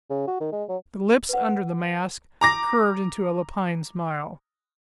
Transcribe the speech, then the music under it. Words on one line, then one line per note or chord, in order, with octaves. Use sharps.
The lips under the mask curved into a lupine smile.
C#3
F#4
D#3
G#3
F#3
B4 F#5
A#5 D6 A#6